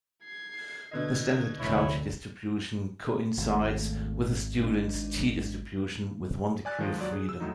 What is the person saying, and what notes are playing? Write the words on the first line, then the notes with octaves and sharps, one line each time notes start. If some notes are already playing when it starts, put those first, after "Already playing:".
The standard Cauchy distribution coincides with the Student's "t"-distribution with one degree of freedom.
G#6 C7
B2 D3 D#5 G#6
F1 D2 E4 C#5
G#1 D#2 A3
G#2 D4 D#4
D5 G#5 F#6 A6
D#3 F3 G#3
D#2 F#3 D5
G#4
E6
A2 F#3 D#4